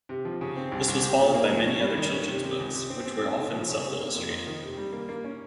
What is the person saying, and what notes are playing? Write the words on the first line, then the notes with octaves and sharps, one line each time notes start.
This was followed by many other children's books, which were often self-illustrated.
C3
F3
C#3
C4
C2
C2
G4
A#2
A#3
F3
C#4
G3
D#3
C#4
C3
C3
C#2
C3
C4
C4
D#4
C#3
F3
C#3
C3
A#3
F2
F2
D#3
C3
G3
A#3
A#3
C#4